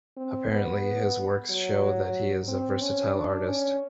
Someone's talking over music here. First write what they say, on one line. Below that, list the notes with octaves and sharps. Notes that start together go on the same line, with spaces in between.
Apparently, his works show that he is a versatile artist.
C4
B3
F#3
C4
C#4
D4
C#4